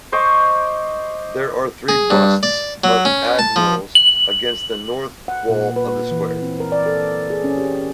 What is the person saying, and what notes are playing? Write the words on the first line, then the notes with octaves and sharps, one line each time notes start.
There are three busts of admirals against the north wall of the square.
C5 D#5 C#6 D6
G#4
G2
D5
F#3
C#4
A5
F3
F#7
F#5
A#2
B4
E3
C4
A#4
D5
A4
G#4
C#4
G4